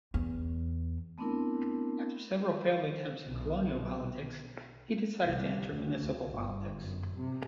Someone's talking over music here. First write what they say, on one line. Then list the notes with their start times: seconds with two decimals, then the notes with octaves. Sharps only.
After several failed attempts in colonial politics, he decided to enter municipal politics.
0.14 E2
1.18 A3 B3 C4 D4 E4 A#4
3.27 B1 B2
5.24 C2
5.71 D2
6.01 D2
6.33 G1
6.80 F#2
7.15 C3